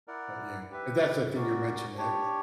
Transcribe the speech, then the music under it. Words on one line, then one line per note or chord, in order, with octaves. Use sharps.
but, yeah. If that's a thing you're mentioning, that
E4 A#4 D5 F#5
G4 B4 E5
C#4 F#4 A#4 D5
D4 G4 C#5